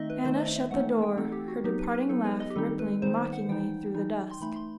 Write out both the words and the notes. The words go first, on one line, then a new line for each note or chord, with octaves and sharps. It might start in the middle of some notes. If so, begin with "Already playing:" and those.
Anna shut the door, her departing laugh rippling mockingly through the dusk.
Already playing: D#3 A3 C4 D#4 D#5 E5
B4
D#3 A3 C4 D#4 C5
D#5
E5
E3 A3 C4 D#4 F#5
G5
E3 A3 C4 D#4 A4
G4
F#4
F#3 B3 D#4 G4
B4
B4
F#3 B3 D#4 A4
B4
D#5
G4
D#3 G3 C4 D#4 A4
B4
D#3 G3 C4 D#4 C5
F#5
E3 G3 D#4 G5
E3 G3 D#4
C6
E3 A3 D#4 B5
C6